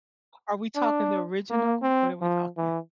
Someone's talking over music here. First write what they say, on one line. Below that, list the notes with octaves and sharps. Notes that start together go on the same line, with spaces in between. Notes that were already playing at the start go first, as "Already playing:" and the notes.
are we talking the original? What are we talking?
D4
A#3
C4
F3
E3